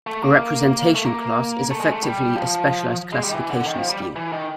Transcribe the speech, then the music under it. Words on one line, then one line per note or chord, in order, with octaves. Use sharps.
A "representation class" is effectively a specialized classification scheme.
A3
A#3
A3
A#3
A3
G#3
A3
G3
F3
G#3
G3
D#3
E3
D3
D#3
F3
G3
E3
D#3